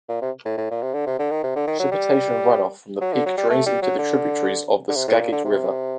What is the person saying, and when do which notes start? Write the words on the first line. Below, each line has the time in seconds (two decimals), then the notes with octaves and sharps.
Precipitation runoff from the peak drains into tributaries of the Skagit River.
0.09 A#2
0.22 C3
0.45 A2
0.58 A2
0.71 A#2
0.82 C3
0.94 D3
1.06 C3
1.19 D3
1.31 D#3
1.43 C3
1.56 D3
1.67 D#3
1.79 F#3
1.92 G3
3.01 F#3
3.13 D3
3.26 F#3
3.38 G3
3.50 A3
3.66 G3
3.82 F#3
3.99 D3
4.89 D3
4.96 C3
5.08 A2
5.20 A#2
5.32 D3
5.44 C3